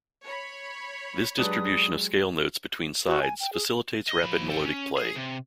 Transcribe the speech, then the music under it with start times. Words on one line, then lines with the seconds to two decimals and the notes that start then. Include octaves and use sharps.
This distribution of scale notes between sides facilitates rapid melodic play.
0.24 C#5 B5
1.38 F#3 G#3 D4 G4 B4 D#6
3.07 F#4
3.22 G#5
3.40 G5
3.53 G#4
4.08 D#5
4.23 F3 B5
4.50 A4 G5
4.64 C#4
4.97 G#4
5.16 C3